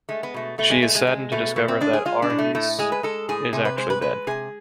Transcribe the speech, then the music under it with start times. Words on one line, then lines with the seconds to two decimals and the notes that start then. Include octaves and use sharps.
She is saddened to discover that Arhys is actually dead.
0.09 G#3 A3
0.23 B3
0.34 B2 A3
0.58 B2 A3
0.70 G#3
0.82 G#3 A3
0.95 G#3
1.07 G#3
1.32 B2 A3
1.56 A2 A3
1.68 C4
1.81 G#3 D4
1.93 G#4
2.05 G#3 F4
2.22 D4
2.30 A2
2.38 A3
2.55 A2 A3
2.79 G#3 G#4
2.92 B4
3.03 G#3 A4
3.29 A2 G#4
3.53 C3 G#4
3.65 B4
3.78 G#3 C5
3.90 B4
4.02 G#3 B4
4.27 C3 G#4